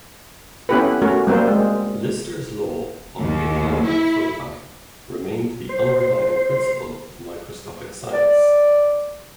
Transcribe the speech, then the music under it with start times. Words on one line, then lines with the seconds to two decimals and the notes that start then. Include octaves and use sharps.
Lister's law of aplanatic foci remained the underlying principle of microscopic science.
0.69 B3 C#4 E4 G4 A4 B4
1.02 A3 C#4 F#4 A#4
1.27 G3 A#3 C4 A#4 C5
1.48 G#3
3.21 D#2
3.86 E4
5.69 C5
8.13 D5